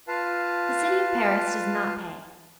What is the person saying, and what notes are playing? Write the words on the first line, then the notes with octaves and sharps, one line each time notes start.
The city of Paris does not pay.
F4 B4 F5 A5